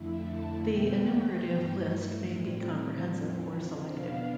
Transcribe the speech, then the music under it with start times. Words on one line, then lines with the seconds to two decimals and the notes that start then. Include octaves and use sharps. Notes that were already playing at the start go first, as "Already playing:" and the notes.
The enumerative list may be comprehensive or selective.
Already playing: F2 D3 A3 E4
0.31 A5
0.70 E2 B2 B3 G5
1.51 G2 E3 A3
2.31 A2 G3 C4
3.12 E2 D3 F3 C4
3.92 B2 B3 D4 F5